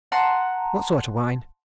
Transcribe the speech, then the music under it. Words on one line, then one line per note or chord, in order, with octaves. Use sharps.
"What sort of wine?"
F#5 A5 A#5 C6